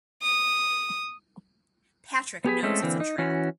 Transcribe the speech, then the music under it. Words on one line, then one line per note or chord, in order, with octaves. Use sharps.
Patrick knows it's a trap.
D#6
B3 G4 G#4 B4
G#3 A3 C4 C#4 A4
D3 E3 A#3 C4
D#4
E3 C#4 F#4